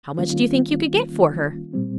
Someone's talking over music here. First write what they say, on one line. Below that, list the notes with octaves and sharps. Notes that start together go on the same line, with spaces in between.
"How much do you think you could get for her?"
D#3 G3 A#3 C#4 F4
A#2 G3 C4